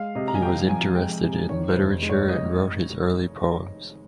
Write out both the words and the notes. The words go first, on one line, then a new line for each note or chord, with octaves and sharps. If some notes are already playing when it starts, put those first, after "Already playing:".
He was interested in literature and wrote his early poems.
Already playing: G#3 F5
C3 D#5
A#5
G#5
F2 G5
F3 G#5
G#3 G5
C3
D#3 C#5
C5
F1
G#3
C#5
D#5